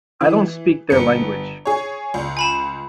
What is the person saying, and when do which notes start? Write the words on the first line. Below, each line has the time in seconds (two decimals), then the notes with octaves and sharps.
I don't speak their language.
0.21 E3
0.90 G1 B3 C#7
1.65 G#4 C#5
2.14 C#2
2.37 G#5 B5 E7